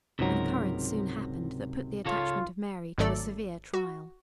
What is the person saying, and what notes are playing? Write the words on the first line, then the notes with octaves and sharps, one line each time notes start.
An occurrence soon happened that put the attachment of Mary to a severe trial.
C#2 G#2 C3 F#3 A#4
C#3 F4 A4 C#5
G#1 G#2 F#3 A3 A4 D5
F#4